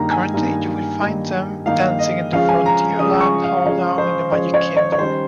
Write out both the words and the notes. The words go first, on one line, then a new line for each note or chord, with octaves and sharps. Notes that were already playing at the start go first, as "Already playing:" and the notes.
Currently, you will find them dancing in the Frontierland Hoedown in the Magic Kingdom.
Already playing: G2 D#3 A#3 D#4 A#5
G#5
G2 D#3 A#3 D#4
G2 D#3 A#3 D#4
G2 D#3 A#3 D#4 F5
D#5
C#3 F3 G#3 C#4 F5
G#5
A#5
C#3 F3 G#3 C#4 D#6
C#6
F5
C#3 F3 G#3 C#4 C#5
C5
C#3 F3 G#3 C#4 C#5
C#5
C#5
C#5
D#3 G3 C#4 C5